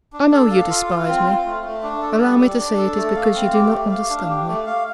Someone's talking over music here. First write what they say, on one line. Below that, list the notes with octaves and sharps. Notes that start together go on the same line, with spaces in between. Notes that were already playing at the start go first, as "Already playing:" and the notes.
I know you despise me; allow me to say, it is because you do not understand me.'
D4
A4
F5
F4
F4
C4
F4
A3
A3
D4
A4
G3
D5
D4
A4
A3
F5
C4
G4
A3
F5
D4
G4
A3
F5